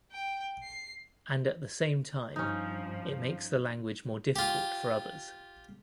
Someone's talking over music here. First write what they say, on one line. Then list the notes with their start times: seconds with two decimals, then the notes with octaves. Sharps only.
And at the same time, it makes the language more difficult for others.
0.12 G5
0.63 C7
2.36 G2 F3 C#4 D#4
4.36 F4 G4